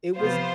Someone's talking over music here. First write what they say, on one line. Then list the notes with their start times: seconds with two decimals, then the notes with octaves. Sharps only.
It was
0.17 C3 F3 B3 F4 C5